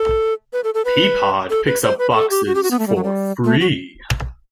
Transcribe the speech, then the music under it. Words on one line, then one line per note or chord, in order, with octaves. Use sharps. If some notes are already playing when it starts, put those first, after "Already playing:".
Peapod picks up boxes for free.
Already playing: A4
B4
A4
A4
B4
A4
B4
C5
B4
B4
A4
G4
F#4
G4
F#4
B3
A3
G3
F#3
G3
A3
F#4